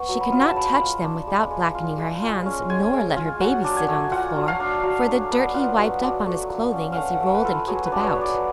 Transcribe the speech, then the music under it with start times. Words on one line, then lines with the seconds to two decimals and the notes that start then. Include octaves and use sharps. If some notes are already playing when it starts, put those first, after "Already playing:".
She could not touch them without blackening her hands, nor let her baby sit on the floor for the dirt he wiped up on his clothing as he rolled and kicked about.
Already playing: B3 C#6
0.09 F#3
0.20 B5
0.32 F4
0.46 A5
0.56 G#3 B5
0.80 F4
1.04 D4
1.27 G#3
1.51 G#3
1.75 F4
1.98 G#3
2.22 F4
2.46 C#4
2.70 G#3 G#5
2.93 G#3
3.17 F4
3.41 F#3 F#5
3.64 D4
3.77 G#5
3.88 A3
4.12 F4 F#5
4.36 F#3
4.48 F5
4.60 D4
4.83 F#3
5.07 D4
5.31 B3
5.54 F4 F#5
5.78 F#3
6.02 D4
6.26 A3
6.49 F4
6.73 C#4
6.92 A3 F5 F#5
7.20 A3
7.35 B4
7.45 F4 A4
7.68 F#3 G#4
7.86 B4
7.92 D4
8.03 C#5
8.15 B3
8.21 D5